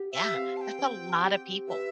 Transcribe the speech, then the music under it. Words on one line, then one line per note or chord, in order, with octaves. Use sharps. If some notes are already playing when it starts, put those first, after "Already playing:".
Yeah, that's a lot of people.
Already playing: G4
E5
C4 F5
A5
G5
C4
G4
B4 E5